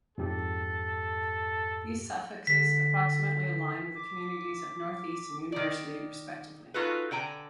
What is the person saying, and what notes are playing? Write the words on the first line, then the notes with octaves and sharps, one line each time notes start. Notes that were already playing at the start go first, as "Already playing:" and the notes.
These suffixes approximately align with the communities of Northeast and University respectively.
F2 G#2 G4 A4
D3 B6
D6
D#3 D5
D#4 F4 F#4 A4 B4
D3 G5 G#5 A#5